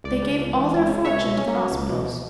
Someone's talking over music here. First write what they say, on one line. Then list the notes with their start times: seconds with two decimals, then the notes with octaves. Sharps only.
"They gave all their fortune to the hospitals."
0.04 C#2 D5
0.22 C#3
0.38 C#2
0.54 E3
0.72 C#2
0.89 C#3
1.04 C#2 C#5 E5
1.22 B2
1.38 C#4
1.55 F#3
1.72 C#2
1.89 B2
2.04 B2